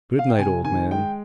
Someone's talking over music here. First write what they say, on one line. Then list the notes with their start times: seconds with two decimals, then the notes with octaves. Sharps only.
"Good-night, old man."
0.19 F5
0.29 G5
0.39 C3 G#5
0.65 D#3 G#5
0.91 G#3 G5